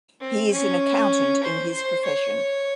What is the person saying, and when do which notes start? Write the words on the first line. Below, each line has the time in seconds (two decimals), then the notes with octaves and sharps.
He is an Accountant in his profession.
0.21 C4
0.52 C#4
1.44 C5
1.73 C5
2.05 C#5